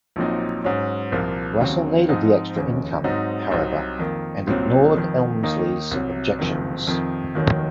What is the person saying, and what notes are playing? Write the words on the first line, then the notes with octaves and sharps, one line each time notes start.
Russell needed the extra income, however, and ignored Elmsley's objections.
A#1 A#2 F#3 C4 D#4
G#2 F#3 C#4
C2 A#2 F3 A#3
D#2 C#3 F#3 C4
G#2 F3 C4 D#4
F1 D#2 C#3
G#2 F#3 C4 D#4
C2 C3 F#3 C4 D#4
F2 D#3 A#3
C2 A#2 F#3 C4
F1 F2 D#3
D#2 D#3 A#3 D#4
C2 C3 F#3
F#1 F2 C3 D#3
F2 C3 D#3
F1 D#2 D#3 F#3